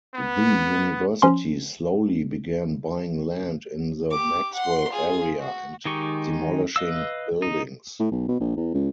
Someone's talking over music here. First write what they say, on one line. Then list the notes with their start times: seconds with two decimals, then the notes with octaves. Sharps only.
The university slowly began buying land in the Maxwell area and demolishing buildings.
0.15 B3
1.22 F3 C#4 C6
4.11 G4 D6
4.54 F#5 C6
4.90 F4 G#4
5.39 F#4
5.85 D#3 G#3 D#4 G4 C#6
6.76 B4 D#5 F5 E6
7.42 D#4
8.00 A2
8.11 B1
8.28 B2
8.40 A#1
8.57 E2
8.74 C#2